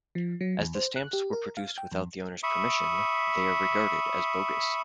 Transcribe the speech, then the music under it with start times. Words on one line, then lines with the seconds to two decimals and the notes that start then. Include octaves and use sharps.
As the stamps were produced without the owner's permission, they are regarded as bogus.
0.15 F3
0.41 F#3
0.58 E2
0.75 C5
0.96 F#6
1.13 G4
1.33 A#4
1.57 F5
1.78 G5
1.92 F2
2.43 E5 B5 C#6 D#6